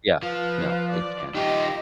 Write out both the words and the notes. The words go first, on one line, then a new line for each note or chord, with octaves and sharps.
Yeah. No. It can't.
F3 B4 F5
D5
D#3 F4 G4 D#5